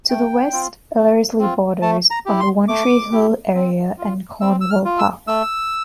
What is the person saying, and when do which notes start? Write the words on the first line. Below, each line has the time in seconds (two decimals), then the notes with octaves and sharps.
To the west, Ellerslie borders on the One Tree Hill area and Cornwall Park.
0.09 A3 G5
0.53 C4 F4
0.96 A3
1.39 C4 F4
1.82 A3 A5
2.10 A#5
2.26 E4 G4
2.40 C6
2.68 A3 D6
3.12 E4 G4
3.55 C4
3.98 F4
4.41 C4 E6
4.61 E6
4.70 F6
4.85 F4
4.99 E6
5.27 A3 E6